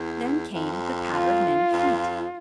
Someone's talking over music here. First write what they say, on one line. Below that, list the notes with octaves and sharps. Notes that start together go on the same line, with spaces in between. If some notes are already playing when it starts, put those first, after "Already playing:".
Then came the patter of many feet.
Already playing: E2
F2
F4
F2